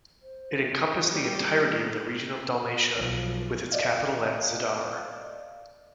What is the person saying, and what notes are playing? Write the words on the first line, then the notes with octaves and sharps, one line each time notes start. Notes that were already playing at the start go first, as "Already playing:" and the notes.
It encompassed the entirety of the region of Dalmatia, with its capital at Zadar.
C5
G3 A#3
B1 F3
D5 D#5 F5